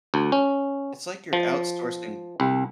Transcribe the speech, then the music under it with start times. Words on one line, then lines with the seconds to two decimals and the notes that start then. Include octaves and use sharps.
It's like you're outsourcing
0.14 D2
0.32 C#4
1.33 F3
2.40 C2